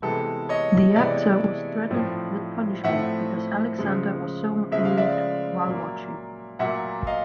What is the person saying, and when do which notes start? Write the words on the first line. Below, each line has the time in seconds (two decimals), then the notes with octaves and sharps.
The actor was threatened with punishment because Alexander was so moved while watching.
0.02 C3 E3 G#3 B3 A4
0.49 C#5 D#5
0.96 C3 E3 G#3 B3 D5 E5
1.91 A2 F3 A3 C4
2.84 A2 F3 A3 C4 E5 F#5
3.79 C#3 F3 G#3
4.72 C#3 F3 G#3 E5
4.85 F5
4.97 D5 E5
5.66 A#2 F#3 A#3
6.59 A#2 F#3 A#3 E5 F#5
7.07 D#5 F5